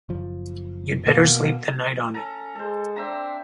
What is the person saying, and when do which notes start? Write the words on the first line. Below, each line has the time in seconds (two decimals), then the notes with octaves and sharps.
You'd better sleep the night on it.
0.09 F#1 F3
1.06 B2 A#3
2.14 C#4 A4 A#5
2.55 G#3 A4 C5
2.96 C4 D4 C5 E5 A#5